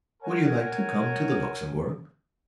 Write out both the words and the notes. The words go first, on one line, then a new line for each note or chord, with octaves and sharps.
"Would you like to come to the Luxembourg?"
A#4 C#5 F#5 G#5